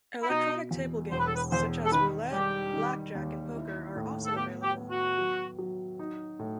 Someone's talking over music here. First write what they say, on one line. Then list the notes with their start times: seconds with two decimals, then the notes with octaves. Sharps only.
Electronic table games, such as roulette, blackjack, and poker, are also available.
0.23 E4
0.30 B2 D#4
0.71 E2
1.11 E1 C5
1.19 B4
1.28 A4
1.36 B4
1.52 E2 C5
1.85 A4
1.92 D#3 B4
2.33 G3 G4
2.74 D#3
3.15 D#2
3.55 E4
3.96 A2
4.26 A4
4.36 B3 G4
4.63 G4
4.76 B3
4.91 F#4
5.18 F#3
5.58 F#3
5.99 D#4
6.39 A2